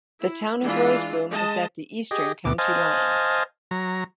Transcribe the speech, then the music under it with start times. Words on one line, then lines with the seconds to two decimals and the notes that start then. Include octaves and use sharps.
The Town of Roseboom is at the eastern county line.
0.20 E4
0.62 E3 G#3 D4 F4
1.30 G#3 D#5 A5
2.11 G4 G#4 D#5
2.45 D2 B2 D6
2.58 C5 D#5 F5 G#5 A5
3.71 F#3 A#5